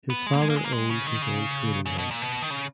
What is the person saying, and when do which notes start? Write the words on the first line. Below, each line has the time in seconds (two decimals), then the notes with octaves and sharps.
His father owned his own trading house.
0.10 B3
0.26 G#3
0.33 A#3
0.42 G#3
0.50 A#3
0.57 G#3
0.65 A#3
0.73 G#3
0.90 C#3
1.06 D#3
1.22 C#3
1.86 C#3
1.98 B2
2.11 A#2
2.22 B2
2.42 D#3
2.50 C#3